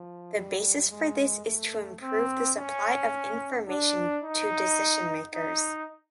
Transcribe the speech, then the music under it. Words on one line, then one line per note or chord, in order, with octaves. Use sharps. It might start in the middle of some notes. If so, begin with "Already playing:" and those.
The basis for this is to improve the supply of information to decision-makers.
Already playing: F3
G3
G#3
A3
C4
C#4
D4
D#4
D#4